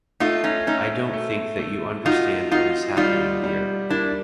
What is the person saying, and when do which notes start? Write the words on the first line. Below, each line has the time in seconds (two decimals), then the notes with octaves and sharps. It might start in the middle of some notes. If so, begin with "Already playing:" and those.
I don't think that you understand what is happening here.
0.20 A3 D#4 F4
0.44 C#4 D#4
0.67 A3 C#4 D#4
1.13 A3
1.59 A3
2.05 D#4 F4 F#4
2.51 D#4 F4 F#4
2.97 G3 D#4 F4
3.44 G3
3.90 A#3 D4 E4